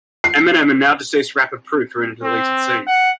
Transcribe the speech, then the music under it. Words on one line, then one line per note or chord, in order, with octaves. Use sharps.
Eminem and now deceased rapper Proof are in a deleted scene.
C7
C4
F#5